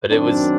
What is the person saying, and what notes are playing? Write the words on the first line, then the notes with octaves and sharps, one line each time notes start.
but it was
F#2 D#3 F#3 C4 D4